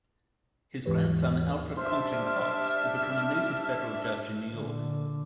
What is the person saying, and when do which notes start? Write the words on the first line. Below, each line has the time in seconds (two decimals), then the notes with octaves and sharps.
His grandson Alfred Conkling Coxe would become a noted federal judge in New York.
0.85 D#2 G#2 E3 G4 B4 C#5
1.77 G3 D4 C5 E5 F6
4.51 A#2 D3